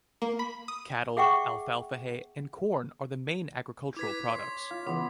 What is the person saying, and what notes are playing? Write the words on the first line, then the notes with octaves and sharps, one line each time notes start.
Cattle, alfalfa hay and corn are the main agriculture products.
A#3
B5
D#6
G#4 E5 F#5 G5 C#6 D6
E4 B4 D6 G#6 B6
C#5 C6 C#6
F4 F5
C#3 E3 B3 D6